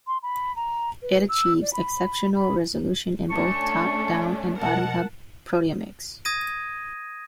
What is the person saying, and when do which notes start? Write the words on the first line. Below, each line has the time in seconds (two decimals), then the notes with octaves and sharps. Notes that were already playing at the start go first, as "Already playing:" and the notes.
It achieves exceptional resolution in both top-down and bottom-up proteomics.
0.07 C6
0.23 B5
0.56 A#5
1.02 B4
1.29 E6
1.61 D5
1.73 B5
2.36 B5
3.30 A3 C#4 D4 A5 C#6
4.58 B2 F3 A#4 F#5 A5
6.25 D#6 G#6 A#6 D#7